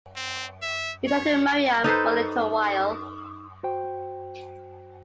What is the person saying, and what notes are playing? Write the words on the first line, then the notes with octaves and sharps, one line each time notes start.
He talked to Miriam for a little while.
C4
E5
C#5
D#4 A4 B4 C5
F#4 C5 G5